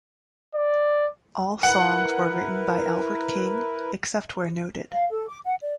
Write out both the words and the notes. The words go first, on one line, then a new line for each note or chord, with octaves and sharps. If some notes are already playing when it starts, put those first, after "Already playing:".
All songs were written by Albert King, except where noted.
D5
E4 A#4 B4 F#5
F5
A4
D6
F#5
D5